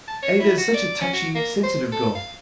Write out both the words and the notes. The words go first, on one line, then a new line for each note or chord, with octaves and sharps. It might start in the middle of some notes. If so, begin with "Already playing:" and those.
Ada is such a touchy, sensitive girl.
A5
C#5
E4
F#4
D5
C#4
F#4
A#3
C5
A4
F5